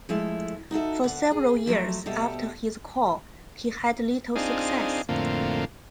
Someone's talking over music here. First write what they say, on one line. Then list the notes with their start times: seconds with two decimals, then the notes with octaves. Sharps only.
For several years after his call he had little success.
0.09 F3 G#3 A3 E4 E5
0.71 D#4 F#4 A4 E5
1.04 D3 F#5
1.31 G#4
1.66 F2 F3 F#3 A3
2.06 B2 G3 A4 E5
4.36 C4 D4 D#4 F4 G#4
5.09 F2 A2 D3 A#3 C4 F4